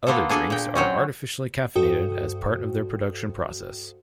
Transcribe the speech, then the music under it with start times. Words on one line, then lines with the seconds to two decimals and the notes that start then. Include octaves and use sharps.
Other drinks are artificially caffeinated as part of their production process.
0.07 A#3 B3 F4 A4
0.29 D4 G#4 A4
0.50 A#2 G5
0.75 F#3 C4 C#4
1.75 G2 F#4 A4 C5 G5 D#6